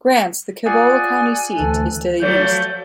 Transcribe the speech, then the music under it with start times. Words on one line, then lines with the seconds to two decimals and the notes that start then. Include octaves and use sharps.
Grants, the Cibola County seat, is to the east.
0.66 F4 G#4 D5 F#5 G#5
1.57 D2 E3 A3 A4 F#6
2.22 F3 F#3 A3 G6